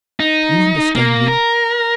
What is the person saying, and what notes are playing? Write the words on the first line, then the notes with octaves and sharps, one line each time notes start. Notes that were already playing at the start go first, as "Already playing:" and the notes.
You understand me?
D#4
A#3
A#4